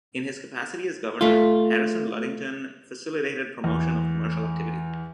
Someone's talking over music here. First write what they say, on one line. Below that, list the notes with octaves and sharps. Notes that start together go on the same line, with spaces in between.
In his capacity as governor, Harrison Ludington facilitated promotion of commercial activity.
A3 F4
E2